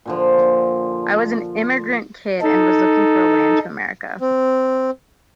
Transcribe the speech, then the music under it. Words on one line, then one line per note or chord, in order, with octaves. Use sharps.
I was an immigrant kid and was looking for a way into America.
A#2 D3 F3
D#4 A4
C4